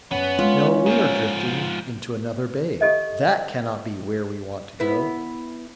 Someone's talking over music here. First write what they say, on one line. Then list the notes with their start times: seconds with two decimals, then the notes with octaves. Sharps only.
"No, we are drifting into another bay; that cannot be where we want to go."
0.11 F#2 B3 C#4
0.39 G#3 A3 F4
0.86 G#2 F3
2.81 G4 A4 D#5 E5
4.80 B3 E4